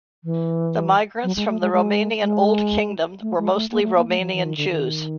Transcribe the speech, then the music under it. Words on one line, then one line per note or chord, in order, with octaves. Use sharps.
The migrants from the Romanian Old Kingdom were mostly Romanian Jews.
E3
F#3
G#3
A3
G#3
G#3
G#3
A3
G#3
A3
A#3
A3
A#3
A3
F3
E3
D#3
D3
D#3